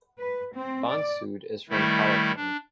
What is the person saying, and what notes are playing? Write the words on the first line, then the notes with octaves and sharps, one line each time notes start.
Bansud is from Calapan.
B4
C4
D5
D#3 G3 A3 E4
D4